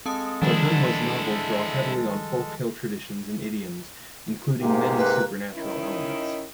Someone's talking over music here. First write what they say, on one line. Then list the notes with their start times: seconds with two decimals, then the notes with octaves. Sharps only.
Fagunwa's novels draw heavily on folktale traditions and idioms, including many supernatural elements.
0.06 G#3 C4 A4 A5 D#6
0.42 D#3 F3 G3 D4 E4
4.60 G#2 C3 A#3
4.97 B4
5.55 D#3 C#4 D#4 E4 D#5